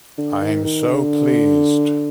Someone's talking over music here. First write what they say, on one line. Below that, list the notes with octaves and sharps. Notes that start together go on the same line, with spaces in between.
I'm so pleased.
D3
D#3
D#3
D3